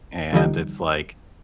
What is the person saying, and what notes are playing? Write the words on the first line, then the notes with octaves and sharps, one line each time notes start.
and, it's like
D3 E3 F3 G3 D#4